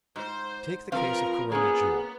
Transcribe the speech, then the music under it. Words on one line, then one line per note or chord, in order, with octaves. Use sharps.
Take the case of Corona Jewel.
G#2 C5
F3 C4 A#4 B4 F5
A#3 B3 C#4 G#4